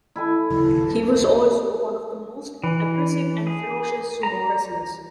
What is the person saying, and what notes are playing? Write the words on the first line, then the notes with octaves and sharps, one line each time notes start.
He was also one of the most aggressive and ferocious sumo wrestlers.
E4 A4 G#5
E3
G#4
A#5